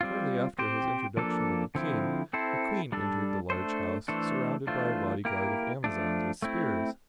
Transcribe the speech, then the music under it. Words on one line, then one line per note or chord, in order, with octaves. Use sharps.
Shortly after his introduction to the King, the Queen entered the large house, surrounded by a body-guard of Amazons with spears.
G3 C4 F4
C4 G4 C5
F3 A#3 D4 A4
D3 F3 C4 E4
C4 E4 A4 C5
G3 D4 A4
A3 D4 A4 C5
E3 A3 D4 A4 C5
E3 A3 D4 F4 C5
A#3 E4 G4 A#4
F3 A3 D4
A3 C4 E4